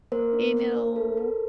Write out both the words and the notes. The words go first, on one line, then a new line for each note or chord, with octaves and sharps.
You know?
A#3 A#4 C5
D4
A#3
D4
A4
A4